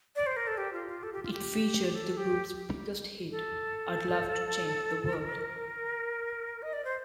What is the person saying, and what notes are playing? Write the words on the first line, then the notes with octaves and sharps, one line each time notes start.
It featured the group's biggest hit, "I'd Love to Change the World".
D5
C5
A#4
A4
G4
F4
F4
A4
G4
F4
G4
A4
G4
A4
A#4
D#5
D5
C5